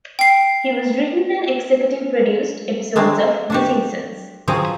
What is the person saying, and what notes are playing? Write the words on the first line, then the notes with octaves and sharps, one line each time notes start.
He has written and executive produced episodes of "The Simpsons".
G5 C7
F#3 G#3 A3 C4 D4
D4 F#4 G4
F3 F#3 C4 G#4